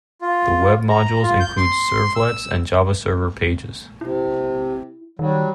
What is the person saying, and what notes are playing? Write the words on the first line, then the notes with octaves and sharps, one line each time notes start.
The Web modules include servlets and JavaServer Pages.
F4
A#5
F4
G6
C6
E6
C3 E4
D#3 F#3 G3